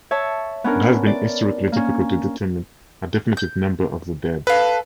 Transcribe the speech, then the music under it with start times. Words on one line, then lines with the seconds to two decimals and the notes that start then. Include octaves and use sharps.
It has been historically difficult to determine a definitive number of the dead.
0.11 C#5 E5 A5
0.64 B3 C#4 D4 A#4
1.07 D5
1.72 A#3 C#4
3.37 G6
4.47 A4 B4 F5